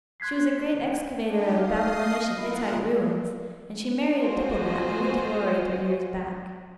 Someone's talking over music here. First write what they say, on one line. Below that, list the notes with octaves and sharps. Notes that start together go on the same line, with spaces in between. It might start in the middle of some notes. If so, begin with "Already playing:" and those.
She was a great excavator of Babylonish and Hittite ruins, and she married a diplomat who went to glory three years back.
C6 F#6 G#6 B6 C7
D4 D#4 G4
D#5 F5 D#6 C7
E4 F4 A#4 F#5
F4 F#4 G#4 C5 D#5